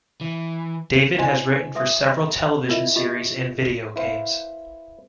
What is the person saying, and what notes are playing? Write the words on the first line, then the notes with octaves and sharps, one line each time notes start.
David has written for several television series and video games.
E3
E4 C5 D5 D#5 G#5 C6
G#4 B4 E5 C6 D#6
D#5 B5 C6
E4 F4 A#4 C#5 D#5 E5
F4 G4 G#4 D#5
E4 B4 C5 F5